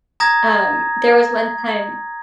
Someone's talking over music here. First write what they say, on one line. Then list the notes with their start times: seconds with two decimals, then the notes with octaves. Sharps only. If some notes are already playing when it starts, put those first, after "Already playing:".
Um, there was one time
0.20 A#5 D#6 G#6 A#6